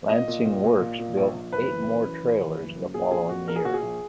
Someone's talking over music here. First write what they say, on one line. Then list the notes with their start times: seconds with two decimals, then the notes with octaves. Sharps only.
Lancing Works built eight more trailers the following year.
0.09 A#2 D#5
0.28 A#2
0.45 A#2
0.64 A#2
0.80 A#2
0.99 A#2
1.17 A#1
1.34 A#1
1.52 F#1 B4
1.70 E3
1.87 F#2
2.05 E3
2.23 E3
2.40 E3
2.58 F#1
2.76 F#2
2.94 A#2 G#4
3.11 A#1 G#4
3.29 A#2 F#4
3.47 A#1 A#4
3.56 G#4
3.65 A#2 F#4
3.74 G#4
3.82 A#1